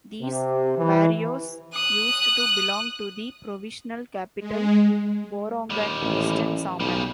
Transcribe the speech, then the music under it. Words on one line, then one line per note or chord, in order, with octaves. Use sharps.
These barrios used to belong to the provincial capital Borongan, Eastern Samar.
C3
E3
D#6 F#6
G#3
D#2 G3
A1
B1 C#3 G3